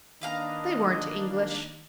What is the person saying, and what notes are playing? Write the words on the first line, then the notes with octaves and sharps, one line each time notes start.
"They weren't English."
D#3 A#3 D4 B4 D#5 F5 A#5